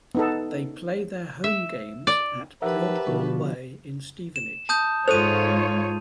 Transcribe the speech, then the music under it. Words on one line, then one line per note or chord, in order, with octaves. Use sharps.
They play their home games at Broadhall Way in Stevenage.
B3 D#4 A4
E5
D5
F3 D#4 G4 A#4 B4 E5 F#5 A5
B2 D3 F3 B3 F#4
E7
A5 D#6 G6
G#2 F4 A4 C5 C#5 D#7 F7